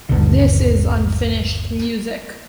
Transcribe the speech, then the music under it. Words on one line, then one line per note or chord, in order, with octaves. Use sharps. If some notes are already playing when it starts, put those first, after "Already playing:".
This is Unfinished Music.
G1 D#2 B2 D3